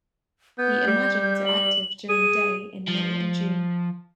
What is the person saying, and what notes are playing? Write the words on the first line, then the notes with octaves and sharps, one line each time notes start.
The imagines are active during the day in May and June.
B3 G6
G3
F#7
G#4 D#7
F3